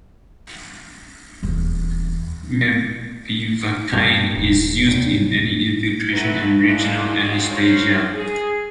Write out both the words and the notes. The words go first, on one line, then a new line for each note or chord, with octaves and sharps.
Mepivacaine is used in any infiltration and regional anesthesia.
D#1 E2
G2
D#1
F1
F#3 A3 B4
E3 G#3 A#3 C#4 D4 F4
D3 F3 G#3 C4 F#4
F4 F#4 A#4 C5 C#5
G#4